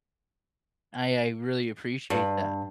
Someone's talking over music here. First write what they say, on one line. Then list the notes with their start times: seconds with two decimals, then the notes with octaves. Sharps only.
I I really appreciate that.
2.10 G2